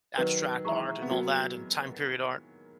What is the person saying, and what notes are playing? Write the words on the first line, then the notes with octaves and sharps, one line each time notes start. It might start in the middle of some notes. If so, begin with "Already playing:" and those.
abstract art and all that and time period art.
D#3 F#3 B4
E3 G#3 E5 A#5 C#6
B3
F#3 A#3 F#4